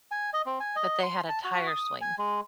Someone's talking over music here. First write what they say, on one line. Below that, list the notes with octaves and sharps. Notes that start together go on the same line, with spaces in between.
But they had a tire swing,
G#5
D#5
C4
G#5
D#5
C6
A5
F#4
D#6
G#5
G#3